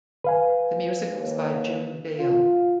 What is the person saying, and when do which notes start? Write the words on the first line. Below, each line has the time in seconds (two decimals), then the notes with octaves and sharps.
The music was by Jim Dale.
0.24 B4 F5 G#5
1.11 D#2
2.19 F4